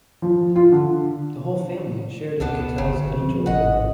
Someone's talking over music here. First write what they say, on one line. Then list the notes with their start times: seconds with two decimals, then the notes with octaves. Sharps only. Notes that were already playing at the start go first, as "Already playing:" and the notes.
The whole family shared in Cattell's editorial work.
0.22 F3
0.56 F4
0.72 D3
2.40 D2 B3 D4 A4
2.78 G1 C#3
2.93 D3
3.19 F3 C4
3.46 G#1 C3 C#4 D#5 F#5